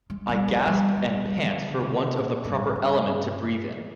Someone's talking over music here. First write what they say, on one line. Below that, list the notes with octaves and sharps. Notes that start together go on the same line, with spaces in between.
I gasp and pant for want of the proper element to breathe in.
G#3
G3
F3
G3
G#3
G3
G3
D#3
F3
D3
C3
A#2
G2
G#2
G2